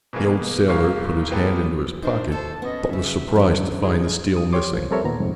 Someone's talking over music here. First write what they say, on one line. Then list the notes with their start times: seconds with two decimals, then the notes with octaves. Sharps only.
The old sailor put his hand into his pocket, but was surprised to find the steel missing.
0.13 B2 E3 G#3 A#3 B3
0.68 B1 A#3 F5 C#6
1.31 G#3 A#3 B3 G4 A4
2.03 D4 D#4 A#4 C5
2.32 A4 C5 A5
2.62 B3 C#4 D#5
2.93 C#3 E5
3.36 F#2 D3
3.79 D#4 G#4
4.36 D#6
4.53 G4 C#5 C6 D6
4.73 F3
4.91 G3 C4 A4 A#4 C#5 E5
5.04 D#2 A#2 B3 A#5
5.20 C2 F2 G#2